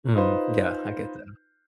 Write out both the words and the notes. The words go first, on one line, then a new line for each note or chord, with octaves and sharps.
Mm, yeah, I get that.
D#4 F4 B4 C5